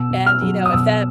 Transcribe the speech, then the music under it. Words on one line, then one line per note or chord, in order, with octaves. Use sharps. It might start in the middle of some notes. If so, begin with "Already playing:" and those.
And, you know, if that
Already playing: B2 E6
B2
F6
F#3
D#6
B2 E6